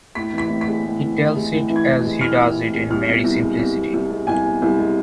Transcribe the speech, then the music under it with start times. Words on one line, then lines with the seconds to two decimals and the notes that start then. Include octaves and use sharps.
He tells it as he does it in mere simplicity.
0.15 A2 B6
0.33 E3 B6
0.49 A2
0.61 B6
0.67 G#3
0.84 A2
1.01 E3
1.18 A2
1.35 G#3
1.53 A2
1.70 E3
1.76 G#6
1.87 A2
2.05 G#3
2.21 A2 F6
2.38 E3
2.56 A2
2.73 G#3
2.90 C2 F6
3.07 B2
3.24 C2
3.41 G#3
3.59 C2
3.77 B2
3.94 C2
4.10 G#3
4.27 C2 G#5
4.45 B2
4.62 C2
4.79 G#3